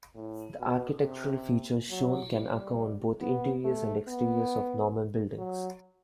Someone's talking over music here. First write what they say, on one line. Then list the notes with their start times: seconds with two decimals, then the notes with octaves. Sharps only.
The architectural features shown can occur on both interiors and exteriors of Norman buildings.
0.16 A2
0.60 B2
1.03 C3
1.90 F#3
2.33 G3
3.21 B3
3.64 A3
4.08 B3
5.38 F#3